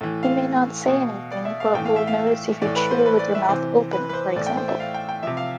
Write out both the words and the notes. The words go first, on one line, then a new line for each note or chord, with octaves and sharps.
He may not say anything but will notice if you chew with your mouth open, for example.
A2 E3
F5
B2
D5
E5
F5
A2 E3 G5
F5
E5
F5
A2 E3 D5
B4
C5
B4
D5
E5
C3 E3 C5
B4
B4
C5
A2 E3 D5
G5
C5
E5
F5
G5
G5
C3 F3 E5
F5